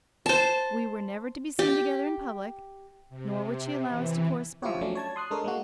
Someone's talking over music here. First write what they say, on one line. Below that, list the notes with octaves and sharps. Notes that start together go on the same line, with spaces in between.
We were never to be seen together in public, nor would she allow us to correspond.
C5 A5
G4
C3
C3
E3
F3 E4 F4 G4 C#5
F3 F#3 A3 C#4 D4
C#5 A5 G#6
C6 D#6 F#6 C7
G#3 D4 A4 A#4 C#5
G#3 A#3 F#4